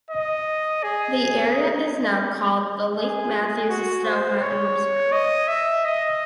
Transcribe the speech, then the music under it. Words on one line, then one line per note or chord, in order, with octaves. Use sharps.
The area is now called the Lake Mathews Estelle Mountain Reserve.
D#5
G#4
G#4
F#4
C5
C#5
D#5
E5
D#5